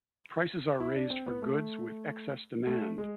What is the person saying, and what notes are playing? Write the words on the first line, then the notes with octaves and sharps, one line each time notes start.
Prices are raised for goods with excess demand.
E4
D4
C4
B3
A3
A3
G#3